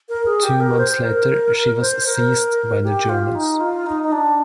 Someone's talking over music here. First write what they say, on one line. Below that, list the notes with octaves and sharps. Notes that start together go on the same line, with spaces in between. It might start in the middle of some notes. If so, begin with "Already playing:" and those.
Two months later she was seized by the Germans.
A#4
G#4
G4
A#4
C5
A#4
C5
A#4
G4
F4
D#4
F4
D#4
D#4
D4